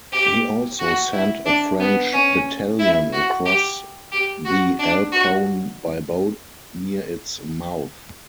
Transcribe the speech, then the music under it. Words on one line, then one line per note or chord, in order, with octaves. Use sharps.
He also sent a French battalion across the Alpone by boat near its mouth.
G4
F#4
E4
D4
B3
C#4
E4
F#4
G4
G4
F#4
D4
F#4